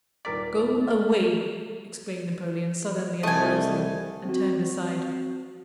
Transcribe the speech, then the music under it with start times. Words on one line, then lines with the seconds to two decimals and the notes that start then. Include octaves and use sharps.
"Go away..." exclaimed Napoleon suddenly and morosely, and turned aside.
0.25 D#1 A#4 D5 D6 B6
3.23 C2 A3 D#5 G#5
4.25 C4 F#4